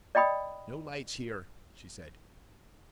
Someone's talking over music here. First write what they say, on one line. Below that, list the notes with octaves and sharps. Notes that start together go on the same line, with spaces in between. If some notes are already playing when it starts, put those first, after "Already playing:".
"No lights here!" she said.
D5 D#5 G5 B5 D#6